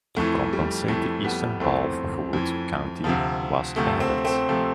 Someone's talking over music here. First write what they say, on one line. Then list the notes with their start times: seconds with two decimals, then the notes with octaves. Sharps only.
To compensate, the eastern half of Wood County was added.
0.16 F2 E3 A3
0.53 G3
0.88 F2 E3 A3
1.24 G3 B3
1.60 F2 E3 A3 C4
2.33 F2 E3
3.04 D2 C3 F3
3.76 D2 C3 F3 A3
4.00 A3 C4
4.24 A3 C4
4.49 C3 F3 A3